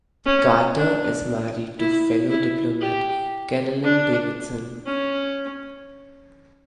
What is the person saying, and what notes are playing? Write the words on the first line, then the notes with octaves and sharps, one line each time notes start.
Carter is married to fellow diplomat Carolyn Davidson.
C#4
D4
E4
E4
G4
D4
C#4